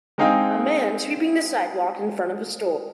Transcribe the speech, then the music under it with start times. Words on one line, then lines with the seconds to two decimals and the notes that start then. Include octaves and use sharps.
A man sweeping the sidewalk in front of a store.
0.18 G#3 C4 D#4 G#4 F5 G5